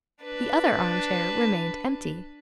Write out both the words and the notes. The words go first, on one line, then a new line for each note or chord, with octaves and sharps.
The other arm-chair remained empty.
D4 B4